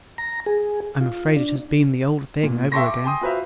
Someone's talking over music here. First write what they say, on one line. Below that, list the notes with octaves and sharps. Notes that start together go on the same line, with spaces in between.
I'm afraid it has been the old thing over again.
A#5
G#4
F4
D4
A#2
E5 G5 A5 C6 C#6 A#6
D6
G5 G#5 C6 D#6
F4 F#4 B4 C5 E5 F5